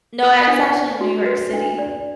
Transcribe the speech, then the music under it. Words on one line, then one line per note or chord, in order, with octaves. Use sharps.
No, I was actually in New York City.
B4
D4
D5
F#4
B4
D4
D5